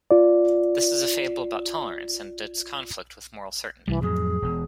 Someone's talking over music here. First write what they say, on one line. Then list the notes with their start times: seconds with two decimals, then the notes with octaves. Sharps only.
This is a fable about tolerance, and its conflict with moral certainty.
0.11 F4 D5
3.88 C2 E3 G3
4.02 F2 A2 F#3 G#4
4.42 E1 B2